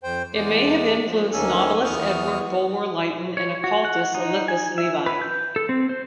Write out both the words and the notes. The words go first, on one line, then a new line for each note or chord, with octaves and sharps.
It may have influenced novelist Edward Bulwer-Lytton and occultist Eliphas Levi.
F2 C5 G5
E2 G#3 D5
F3
D2 D#3 A#3 C#4 A4 G#5
E2 B3 C#6 D#6 F6
C#5
F#4
F#5
D#4
G#5
E5
B4
G6
A4
C4
C5